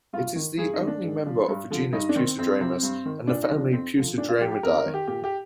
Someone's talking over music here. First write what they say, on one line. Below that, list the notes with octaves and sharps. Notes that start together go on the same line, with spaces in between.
It is the only member of the genus Peucedramus and the family Peucedramidae.
G2 F4
D#3
G2 G#4
D#4
D#3
D4
G#2
F3
G2
D3 F3
G2 D#4
D4
D#3 C4
F2 C4
C3 F3 C4
G2
D#3
A#2 D4
D#4
F3
D4
F2 C4
D3 F3
A#2 D4
F4
F3 G4
G4
F2 A#4
A#4
D#3
G4
A#2 G4
G4